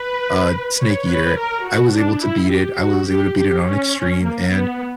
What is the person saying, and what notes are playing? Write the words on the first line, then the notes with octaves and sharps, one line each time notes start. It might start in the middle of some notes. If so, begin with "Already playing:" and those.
uh, Snake Eater, I was able to beat it; I was able to beat it on extreme, and,
Already playing: B4
C#5
B4
A#4
F#4
D4
E4
G4
F#4
G4
G4
C#4
A#3
B3